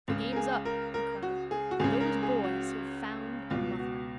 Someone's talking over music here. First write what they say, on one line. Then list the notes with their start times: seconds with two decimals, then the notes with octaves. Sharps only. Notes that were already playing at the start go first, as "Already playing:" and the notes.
"The game's up," he cried, "those boys have found a mother."
0.08 C#2 C#3
0.33 A#4
0.36 G#4
0.65 A#4
0.94 A#4
1.23 F#4
1.51 G#4
1.71 F#4
1.80 C#2 C#3 G#4
2.01 A#4
2.23 G#4
2.44 F#4
3.51 C#2 B2 F4
3.79 F#4